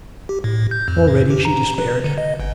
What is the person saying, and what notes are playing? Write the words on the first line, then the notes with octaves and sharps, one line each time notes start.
Already she despaired.
G4
A2
G6
F2
A2
G4
A#5
B4
D3
D#5
G1